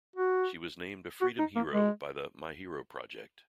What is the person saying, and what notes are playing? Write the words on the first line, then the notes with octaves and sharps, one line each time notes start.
She was named a Freedom hero by The My Hero Project.
F#4
F#4
D#4
A#3
G#3